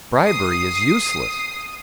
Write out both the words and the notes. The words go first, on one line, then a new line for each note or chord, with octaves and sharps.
Bribery is useless!
D#6 C7